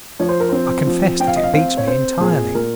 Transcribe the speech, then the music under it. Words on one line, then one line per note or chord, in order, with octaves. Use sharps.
I confess that it beats me entirely.
F3 C#5
C5
A#4
C4 C5
F3
C4 G5
F5
D#5
F5
C4 F5
C#5
C4 C5
A#2 G#4
A#2 A#4